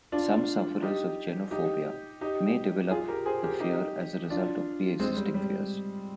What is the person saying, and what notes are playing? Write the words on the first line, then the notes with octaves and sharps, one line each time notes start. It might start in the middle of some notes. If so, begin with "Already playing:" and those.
Some sufferers of genophobia may develop the fear as a result of preexisting fears.
D4 F4
D#4 G4
D#4 G4
D#4 G4
F4 G#4
G4 A#4
G#4 C5
G4 A#4
D#4 G4
D4 F4
G#3 C4
G3
G3